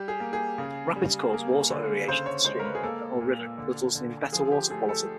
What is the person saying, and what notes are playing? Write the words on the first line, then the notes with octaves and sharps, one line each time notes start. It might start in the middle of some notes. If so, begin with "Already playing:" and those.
Rapids cause water aeration of the stream or river resulting in better water quality.
Already playing: G3 G4
G#4
A#3
G#4
C#3
G3
A#3
D3
C#3 C5
C#5
G#3 C5
A#4
B4
G#4
A#3 A4
A#2
D3
D3
F3 G#4
G4
A3 G#4
A4